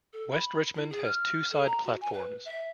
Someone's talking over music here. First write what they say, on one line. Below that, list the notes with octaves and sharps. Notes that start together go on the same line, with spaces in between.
West Richmond has two side platforms.
A4
B5
E4
G#4
F6
A4
A#5
F#4
G#5
B4
E5